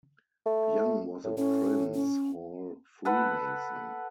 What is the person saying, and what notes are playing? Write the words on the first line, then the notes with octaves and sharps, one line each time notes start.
Young was a Prince Hall Freemason.
A3
A2
A2 C#4
C#4
A4 B4 F#5 B5